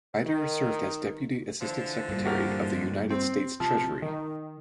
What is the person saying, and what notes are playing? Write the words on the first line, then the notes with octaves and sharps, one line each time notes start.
Haider served as deputy assistant secretary of the United States Treasury.
D#3
D3 E3 F3
G2 A#2
F#4 G4 A#4
C4
C3 F3
D#3